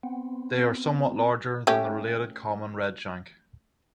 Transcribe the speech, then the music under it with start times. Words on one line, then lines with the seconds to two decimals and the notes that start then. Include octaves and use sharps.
They are somewhat larger than the related common redshank.
0.03 B3 C4
1.67 A3 C#4 G4